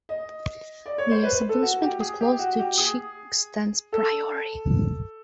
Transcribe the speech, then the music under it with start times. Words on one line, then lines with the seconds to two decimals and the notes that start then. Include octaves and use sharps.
The establishment was close to Chicksands Priory.
0.09 D#5
0.86 D5
0.98 C#5
1.11 C5
1.23 B4
1.49 A4
1.62 F#4
1.82 G4
2.00 G#4
2.21 G4
2.39 F#4
2.59 G4
2.78 G#4
3.92 A4